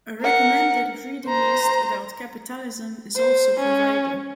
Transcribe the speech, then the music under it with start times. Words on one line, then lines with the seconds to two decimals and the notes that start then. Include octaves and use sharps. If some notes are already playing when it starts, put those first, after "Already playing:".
A recommended reading list about capitalism is also provided.
0.21 A#4 F#5
1.28 C5 A#5
3.16 C5
3.59 C#4